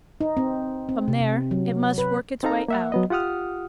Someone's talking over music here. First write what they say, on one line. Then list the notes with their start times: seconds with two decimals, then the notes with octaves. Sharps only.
From there it must work its way out.
0.21 D#4
0.37 C4
0.89 C4
1.08 C3
1.21 C3
1.51 F#3
1.98 B4
2.43 C4 D#4 A4 F5 A#5
2.68 A#3 E5 F#5
2.92 F#3 B3 D#5
3.10 F4 G4 F#5 D#6 F6